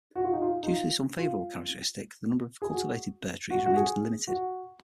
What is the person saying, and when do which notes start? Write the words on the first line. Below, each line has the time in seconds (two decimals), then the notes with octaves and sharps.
Due to this unfavourable characteristic the number of cultivated Bur trees remains limited.
0.16 F#4
0.24 F4
0.33 D#4
0.42 F4
0.63 D#4
0.67 F4
1.19 F4
2.62 G#4
2.73 F#4
3.51 F#4
3.66 F#4
3.76 G#4
4.27 F#4